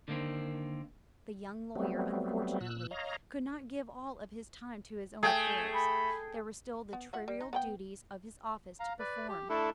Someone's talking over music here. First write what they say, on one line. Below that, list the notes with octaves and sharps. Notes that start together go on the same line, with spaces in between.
The young lawyer, unfortunately, could not give all of his time to his own affairs; there were still the trivial duties of his office to perform.
D3 D#3 A#3 C4
F#3 G3 A3 B3 C4
A#2 E6 F#6
C#5 D#5 F5 A#5
A3 G#4 G5
B5
B3
F4 E5 F#5
G3
D#4
B3 B4 G5
F5 A#5
B4 D5
G4
A3 D4 E4 A4